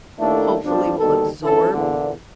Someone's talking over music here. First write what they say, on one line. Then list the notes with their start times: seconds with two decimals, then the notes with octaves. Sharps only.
hopefully will absorb
0.19 D#2 A3 A#3 D4 E4 A4
0.65 F2 B2 F3 G3 D4
0.99 D#2 B2 D#3 G3 A4
1.43 G#1 E3 C#4 A4
1.73 E2 A#2 D3